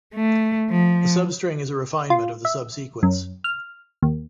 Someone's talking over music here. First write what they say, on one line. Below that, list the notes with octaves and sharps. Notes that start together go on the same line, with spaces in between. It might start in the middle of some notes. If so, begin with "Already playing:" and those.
The substring is a refinement of the subsequence.
A3
F3
F4
E5
F#2
F6
D#2